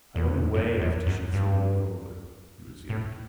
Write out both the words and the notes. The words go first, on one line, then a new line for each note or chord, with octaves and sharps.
"I went away after she threw me over," he resumed.
E2
F#2
E2
F#2
G2
A2